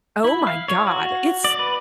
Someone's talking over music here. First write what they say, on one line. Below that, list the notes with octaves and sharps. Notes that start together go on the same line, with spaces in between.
"Oh, my god." It's
E4
F5
C#5
F#4
D5
B4